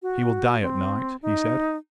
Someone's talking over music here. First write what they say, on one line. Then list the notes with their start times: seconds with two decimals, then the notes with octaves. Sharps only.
"He will die at night," he said.
0.02 F#4
0.62 C4
1.22 D#4